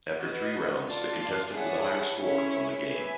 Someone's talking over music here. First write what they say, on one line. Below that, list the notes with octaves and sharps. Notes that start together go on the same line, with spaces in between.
After three rounds, the contestant with the higher score won the game.
F#4 B4 D#5
F4 A4 D5 F5 A5
E4 G#4 C#5 F#5 A5
C#4 E4 G#4 C#5 E5
B4 E5 G#5